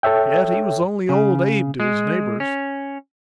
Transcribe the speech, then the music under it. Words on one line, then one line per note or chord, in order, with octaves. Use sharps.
Yet he was only "Old Abe" to his neighbors.
A4 C#5 E5 G5
C#3
G#3
C#4